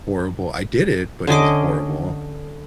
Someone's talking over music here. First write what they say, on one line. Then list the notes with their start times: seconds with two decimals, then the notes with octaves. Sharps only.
horrible. I did it, but it was horrible.
1.27 D3 C#4 D#5 D6